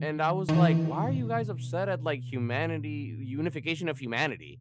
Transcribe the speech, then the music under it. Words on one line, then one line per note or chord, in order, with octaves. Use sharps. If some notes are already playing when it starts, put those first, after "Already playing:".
and I was, like, "Why are you guys upset at like humanity, unification of humanity?"
Already playing: D#3
D#3
E3
D#3
A2
B2
A2
C3
D#3
C3
B2